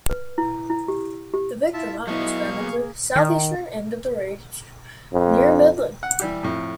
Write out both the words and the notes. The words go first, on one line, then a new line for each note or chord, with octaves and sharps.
The Victor Mine is found at the southeastern end of the range near Midland.
B4
E4
E4
G4
G4
E4 F4 E5 A5
F#3 B3 E4 D#5 F5 C#6
A#3 G#4
D#3
F2
F#5
E3 G3 G4
F2 A2